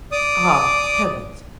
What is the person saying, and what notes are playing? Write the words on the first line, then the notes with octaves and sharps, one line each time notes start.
'Ah, heavens!
D5 D6 D#6